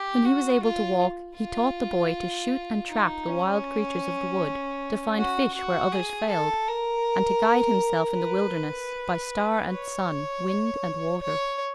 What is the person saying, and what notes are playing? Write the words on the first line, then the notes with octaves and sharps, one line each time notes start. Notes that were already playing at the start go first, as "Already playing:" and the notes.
When he was able to walk, he taught the boy to shoot and trap the wild creatures of the wood, to find fish where others failed, and to guide himself in the wilderness by star and sun, wind and water.
Already playing: G4
F#4
F4
F4
D#4
C#4
F#4
F#4
G#4
A4
A#4
B4
C#5
C#5